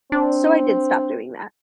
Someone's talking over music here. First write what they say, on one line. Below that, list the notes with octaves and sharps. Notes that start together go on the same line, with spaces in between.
So, I did stop doing that.
C4 D4